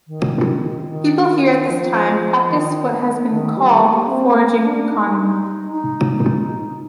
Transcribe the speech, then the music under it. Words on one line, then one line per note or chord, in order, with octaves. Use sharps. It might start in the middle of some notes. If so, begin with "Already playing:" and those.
People here at this time practised what has been called a foraging economy.
D#3
D#3
F3
D#3
D#3
G3
A#3
D4
C4
A3
A#3
D4
D#4
D#4